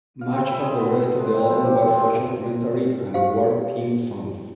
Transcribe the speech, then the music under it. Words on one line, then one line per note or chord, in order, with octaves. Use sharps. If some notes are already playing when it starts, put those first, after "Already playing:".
Much of the rest of the album was social commentary and war-themed songs.
F5
C4
E4
G#4
B3
A4
G#3
C4
F3
G4
E5
G#3
G4 C5 F5